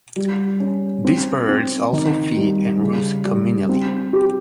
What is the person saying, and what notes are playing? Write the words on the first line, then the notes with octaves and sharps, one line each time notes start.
These birds also feed and roost communally.
G3
C#4
C4
C4
D#3
G3
C#3
G3
C4
G4